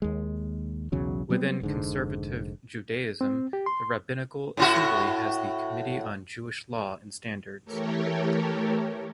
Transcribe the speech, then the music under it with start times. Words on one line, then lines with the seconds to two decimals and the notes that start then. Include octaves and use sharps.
Within Conservative Judaism, the Rabbinical Assembly has the Committee on Jewish Law and Standards.
0.02 D#2 G#3
0.92 B1 E2 C#3 F#3
1.30 F#3 G3 B3 C4
1.61 F1 G#2 D3
3.21 C4
3.53 G4
3.66 C6
4.57 A2 E4 F#4
7.65 E3 A3 G4 A4 A#4 C#5